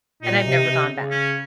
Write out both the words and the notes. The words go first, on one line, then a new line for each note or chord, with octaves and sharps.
and I've never gone back.
A#2 D#4
C3
C3
C#3
C#4